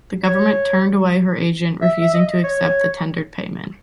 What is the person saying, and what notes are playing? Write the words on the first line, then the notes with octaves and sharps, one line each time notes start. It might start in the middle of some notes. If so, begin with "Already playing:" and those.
The government turned away her agent, refusing to accept the tendered payment.
C#5
E5
E5
D#5
C#5